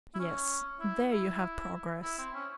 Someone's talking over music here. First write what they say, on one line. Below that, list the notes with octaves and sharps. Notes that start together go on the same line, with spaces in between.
Yes, there you have progress.
E4
C#4
E4
E4
E4
C4
C#4